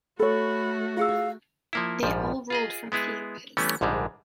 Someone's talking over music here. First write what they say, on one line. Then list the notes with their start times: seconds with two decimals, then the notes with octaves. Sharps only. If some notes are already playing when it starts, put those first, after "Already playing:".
They all ruled from Thebes.
0.19 A3 F#4 A4 C#5 B5
0.97 F4 G#4 F5 E6
1.73 F3 A#3 E4
2.03 A#1 G#2 F3 G3
2.50 F4 G#4 D#5
2.92 G#3 B3 E4 G#4
3.57 E3 G3 A3 B3 C#4
3.81 A#1 G#2 D3 G3 G#3